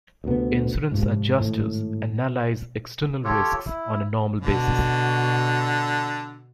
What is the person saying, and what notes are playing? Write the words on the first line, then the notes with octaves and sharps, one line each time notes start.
Insurance adjusters analyze external risks on a normal basis.
D2 C3 B3
G#2 C3 F3
G#1 A2
F4 G4 A4 C#5
E4
B2 D3 F#4